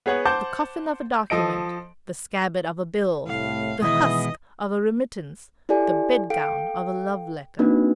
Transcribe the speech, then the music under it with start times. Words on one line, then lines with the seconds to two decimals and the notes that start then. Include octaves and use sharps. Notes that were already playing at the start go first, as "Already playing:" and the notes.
The coffin of a document; the scabbard of a bill; the husk of a remittance; the bed-gown of a love-letter.
0.06 B3 G#4 C#5 F#5
0.25 C5 F#5 A5 D6 G6
1.30 F3 A4 D#5 D7
3.27 C2 A2 F5
3.82 B2 D#3 E3 G#3 E4 D#5 D#6
5.69 E4 G4 A4 D5 G#5
6.30 A4 F5 G5 D7
7.59 A#3 C4 D4 D#4 F#4 B4